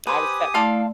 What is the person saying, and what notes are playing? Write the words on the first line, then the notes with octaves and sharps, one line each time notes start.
I was set f
G4 B4 C5 G#5 D#6
A3 E4 D5 F5 A5 C6